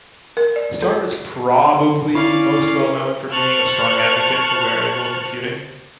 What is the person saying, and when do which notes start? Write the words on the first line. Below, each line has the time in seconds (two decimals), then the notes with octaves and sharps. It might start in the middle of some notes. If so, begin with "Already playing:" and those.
Starner is probably most well known for being a strong advocate for wearable computing.
0.37 A#4
0.56 D5
0.82 A4
2.15 C#4 E4 D5 F5
2.78 A#4 B4
3.31 C5 A5 C#6 F6 F#6